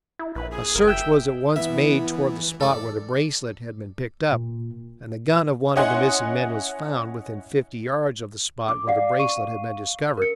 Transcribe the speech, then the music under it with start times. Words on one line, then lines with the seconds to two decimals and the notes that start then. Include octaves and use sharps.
A search was at once made toward the spot where the bracelet had been picked up, and the gun of one of the missing men was found within fifty yards of the spot where the bracelet had been discovered.
0.19 E4
0.35 A#1 B4
0.51 G#4
0.75 F#1 A#4
0.87 E5 G5
1.56 E3 B3 E4 E5
2.61 A4 D5
4.32 A#2
5.76 C#4 E4 D#5 F#5 G#5 C6
8.69 D6
8.87 D5 F5 F#5 C7
9.19 C#6 D#7
9.37 F5
10.17 A#4 C#7